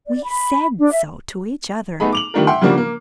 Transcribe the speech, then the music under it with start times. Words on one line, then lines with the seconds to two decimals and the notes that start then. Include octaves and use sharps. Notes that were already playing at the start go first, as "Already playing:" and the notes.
We said so to each other.
0.07 D5
0.24 B5
0.79 D4
0.92 E5
2.00 A3 B3 D#4 G#4 B5
2.13 D6 F7 F#7
2.34 D#3 G3 A3 D4 F4 A#4
2.47 E5 F#5 G5 C6
2.62 C#3 F3 G3 A#3 D4 F#4
2.77 A#3